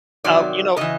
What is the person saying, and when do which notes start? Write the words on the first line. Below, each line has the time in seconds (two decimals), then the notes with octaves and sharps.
uh, you know
0.24 C3 D#3 F#3 D5
0.77 C#3 E3 D#5